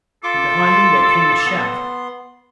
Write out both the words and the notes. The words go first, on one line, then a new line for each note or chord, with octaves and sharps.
From behind me there came a shout.
F4 A4 C6 D6
B3 C6